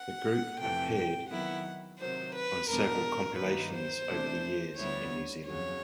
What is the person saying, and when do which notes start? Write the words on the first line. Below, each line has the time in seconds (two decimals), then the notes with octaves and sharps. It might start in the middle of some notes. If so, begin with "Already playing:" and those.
The group appeared on several compilations over the years in New Zealand.
Already playing: F#5
0.60 F2 C3 E3 A3 G5
0.95 G5
1.29 D#3 F#3 B3 E4 F#5
1.99 C3 D#3 F#3 C5
2.34 B4
2.69 E2 B2 G3 B3 D4 A#4
3.38 G2 D#3 F#3 A#3 D#4 B4
3.73 C5
4.08 C3 E3 A3 D4
4.77 D2 D3 G3 B3 E4 C#5
5.47 F2 C#3 F#3 C#5